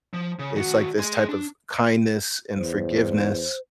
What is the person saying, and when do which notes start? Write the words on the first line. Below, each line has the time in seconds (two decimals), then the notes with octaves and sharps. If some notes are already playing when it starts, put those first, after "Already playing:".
it's, like, this type of kindness and forgiveness
0.14 F3
0.39 C#3
0.56 D#3 F#4
0.99 G#4 C6
1.29 D4
2.57 E2 C5